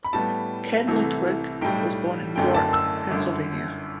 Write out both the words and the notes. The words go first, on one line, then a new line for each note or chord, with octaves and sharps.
Ken Ludwig was born in York, Pennsylvania.
B5
A2 G3 B3 A5
C2 C3 E3 A3
B1 A2 G3 G5
F#1 F#2 D3 A3 D4 G5
A5
E6
G1 F#2 D3